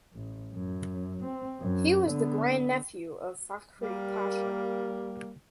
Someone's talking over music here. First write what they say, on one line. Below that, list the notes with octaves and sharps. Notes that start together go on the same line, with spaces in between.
He was the grandnephew of Fakhri Pasha.
A1
F#2
C4
F#2
D3 B3
G3 A#3